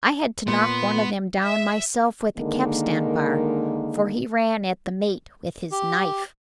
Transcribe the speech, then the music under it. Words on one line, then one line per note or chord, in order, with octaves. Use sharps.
I had to knock one of them down myself with a capstan bar, for he ran at the mate with his knife.
A#2 B3 C6
E5
D3 D#3 G#3 A#3
G4